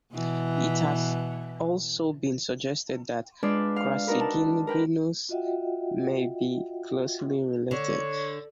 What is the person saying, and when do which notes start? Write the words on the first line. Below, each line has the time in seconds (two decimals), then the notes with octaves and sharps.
It has also been suggested that "Crassigyrinus" may be closely related.
0.13 B2 E3
3.43 G#3 D4 F4 B4 D5
3.76 F5
4.07 D4 D#4 F#4 A#4 B4
4.21 A5
4.67 A#4 B4 G5
5.29 F4 F#4 D#5 E5 F#5 G5
7.71 D3 C#5